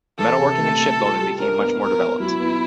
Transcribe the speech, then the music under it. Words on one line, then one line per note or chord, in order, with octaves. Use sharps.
Metalworking and shipbuilding became much more developed.
E3 A4
C3
A3
A3
F4
G3
D4 A#4
B3
B3 A#4
B3
F#3 E4
B3